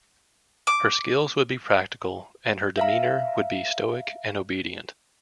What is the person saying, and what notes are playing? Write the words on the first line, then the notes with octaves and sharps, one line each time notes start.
Her skills would be practical and her demeanour would be stoic and obedient.
D6
E5 F5 A#5